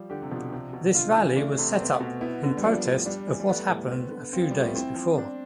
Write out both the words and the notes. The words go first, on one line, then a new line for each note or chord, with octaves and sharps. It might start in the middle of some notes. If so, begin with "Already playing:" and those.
This rally was set up in protest of what happened a few days before.
Already playing: F3 G3
D3 G4
C3
B2 F3
C3 D4
B2
D3 F4
E3
A3 D4
C3
B3 C4
B2
B3 E4
D3
G3
F3 D4
A2
G3 D4
E3
G3
A3 B3
A2
B3 C4
D3
C4 F4
F3
G3
B2 A3
B3
C4 E4
F3
D4